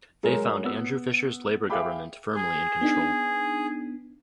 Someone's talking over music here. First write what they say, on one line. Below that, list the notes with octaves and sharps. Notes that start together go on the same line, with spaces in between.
They found Andrew Fisher's Labor government firmly in control.
F#3 G#3 G#4 A#4
B3 E6
G#4 E5 F5 G5 B5 D6
G#4
B3 D4 D#4